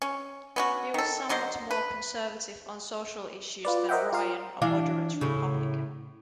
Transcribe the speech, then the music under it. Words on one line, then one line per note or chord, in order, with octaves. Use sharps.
He was somewhat more conservative on social issues than Ryan, a moderate Republican.
C#4
B3 C#4 F#4
D#3 A4
D3 F#3 C5 D#5
B4
F4 B4 D5
A#4 C5 D#5 E5 F#5 G5
F4 A#4 F5
E3 D4 F5
A2 C#3